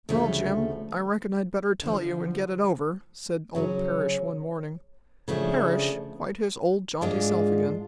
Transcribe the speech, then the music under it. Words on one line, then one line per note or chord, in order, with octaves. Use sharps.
"Well, Jim, I reckon I'd better tell you and get it over," said old Parrish one morning--Parrish, quite his old, jaunty self again.
D2 C#3 F3 A3
D2 D3 F3
C#3 F#3 C#4
C#3 F3 A3 D4 G#4
G#2 G#3 D4 F4